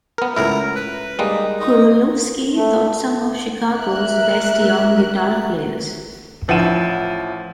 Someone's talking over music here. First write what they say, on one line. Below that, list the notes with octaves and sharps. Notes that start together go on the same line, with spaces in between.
Curulewski taught some of Chicago's best young guitar players.
B3 A#4
C#2 A2 E4 A#4
B4
G3 G#3 A#3 D#4
D#4
A3
A#4 E5 F#6
A1 F3 E4 F#5 D#7 E7